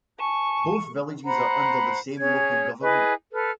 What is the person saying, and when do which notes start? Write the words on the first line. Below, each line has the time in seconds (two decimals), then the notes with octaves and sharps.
Both villages are under the same local government.
0.19 G#5 A5 C#6
1.25 C5 F#5 A#5 B5
2.19 C#4 G#4 C#5 G#6
2.82 E4 G#4 B4 D#5
3.33 A4 B4 F6